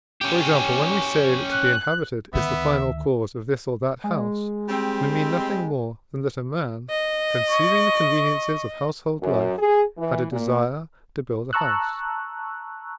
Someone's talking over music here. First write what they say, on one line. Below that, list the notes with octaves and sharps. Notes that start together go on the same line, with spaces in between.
For example, when we say that to be inhabited is the final cause of this or that house, we mean nothing more than that a man, conceiving the conveniences of household life, had a desire to build a house.
C#4 G4
F#6
D2 D#3 B3 E5
G#3
G3 C4
D#5
C#6
F#2
G#4
E3
A#2
A5 A#5 C#6 E6 F#6